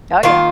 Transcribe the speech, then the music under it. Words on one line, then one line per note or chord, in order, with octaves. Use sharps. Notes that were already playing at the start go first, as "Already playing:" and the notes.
Oh, yeah.
D#3 A#3 F4